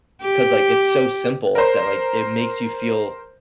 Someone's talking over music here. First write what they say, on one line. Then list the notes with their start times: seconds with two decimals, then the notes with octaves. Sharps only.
'cause like, it's so simple that, like, it makes you feel
0.22 G4
1.55 A#4 C5